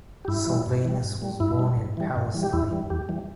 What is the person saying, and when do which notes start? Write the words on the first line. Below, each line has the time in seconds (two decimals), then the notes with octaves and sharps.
Silvanus was born in Palestine.
0.25 G4
0.28 G2 E4
0.47 E3 G3
0.66 G2
0.85 E3 G3
1.03 G2
1.22 G3
1.40 G2 E4
1.59 G3
1.77 G2
1.97 E3 G3
2.16 G2
2.34 E3 G3
2.43 G4
2.53 E2 E4
2.71 E3 G3
2.90 E2 G4
3.09 E3 G3